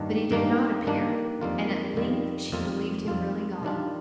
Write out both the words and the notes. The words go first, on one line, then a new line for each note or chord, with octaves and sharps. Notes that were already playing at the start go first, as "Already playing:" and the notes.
But he did not appear, and at length she believed him really gone.
Already playing: G2 D#3 A#3 D4
G2 D#3 A#3 D4
G2 D#3 A#3 D4
F2 D#3 G3 A#3 F4
F2 D#3 G3 A#3 F4
F2 D#3 G3 A#3 F4
F2 D#3 G3 A#3 F4
D#3 G3 D4 F4